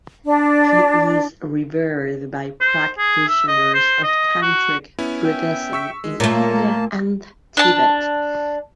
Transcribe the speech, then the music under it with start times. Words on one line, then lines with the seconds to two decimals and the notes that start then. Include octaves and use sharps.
He is revered by practitioners of tantric Buddhism in India and Tibet.
0.25 D4
2.61 C5
2.98 G#4
3.28 E5
3.48 D#5
3.74 C5
4.03 D#5
4.42 F#4
4.99 B3 C#4 E4
5.25 E5 G5
5.73 C#6 E6 B6
6.04 G#3
6.20 A#2 A3 A#3 F4 C#5 A5 A#5
7.57 D4 A5